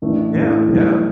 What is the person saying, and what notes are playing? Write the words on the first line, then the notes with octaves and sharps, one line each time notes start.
Yeah, yeah.
A1 A2 E3 A3 D4
A1 A2 E3 A3 D4
B1 A2 E3 G3